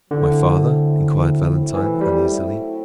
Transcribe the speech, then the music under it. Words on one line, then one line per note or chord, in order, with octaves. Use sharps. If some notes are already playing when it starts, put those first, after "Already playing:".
"My father?" inquired Valentine, uneasily.
D3 F#3 A3 C4 E4
E3
G3